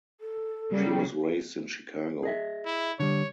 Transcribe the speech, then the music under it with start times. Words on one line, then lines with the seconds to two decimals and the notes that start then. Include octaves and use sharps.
She was raised in Chicago.
0.21 A4
0.72 C#3 F#3 G3 A#3
2.23 G#4 D#5 E5
2.66 E4
3.00 D3 G3 C#5